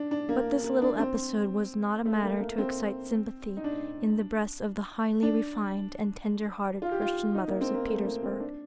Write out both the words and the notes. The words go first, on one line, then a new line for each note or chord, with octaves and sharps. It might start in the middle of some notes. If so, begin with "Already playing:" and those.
But this little episode was not a matter to excite sympathy in the breasts of the highly refined and tender-hearted Christian mothers of Petersburg.
Already playing: D4
D4
A#3
A#3
D4
C4
A3
A#3
A#3
C4
D#4
D4
D4
F4
G4
F4
D#4
A#3
C4
A#3
A3
A#3
C4
D4